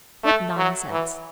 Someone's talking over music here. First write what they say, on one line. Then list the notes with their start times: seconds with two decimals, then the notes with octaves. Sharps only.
What nonsense!
0.24 A3
0.57 F#3
0.91 E3